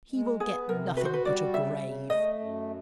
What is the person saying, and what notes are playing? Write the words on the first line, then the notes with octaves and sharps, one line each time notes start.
He will get nothing but a grave!
G#3
B3 G#4
C3 A#4
F#4 B4
C5
B4
G3 D5
C#3 E5
C#3
A3 D#5
F#2